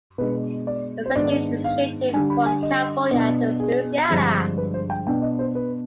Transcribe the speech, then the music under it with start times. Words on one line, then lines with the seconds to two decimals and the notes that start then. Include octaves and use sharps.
The setting is shifted from California to Louisiana.
0.18 B2 G#3 D4 B4
0.67 D5
1.06 C5
1.16 G#2 D#3 B3 D4 D5
1.64 F5
2.13 D3 G3 D4 G#5
2.30 B5
2.46 G#5
2.63 D#5
3.12 B2 B3 D4
3.60 G#4
4.09 G2 D3 F3 G#3 C4
4.58 B4
4.74 C5
4.90 G5
5.07 B2 B3 D4 G5
5.22 D#5
5.39 C5
5.55 B4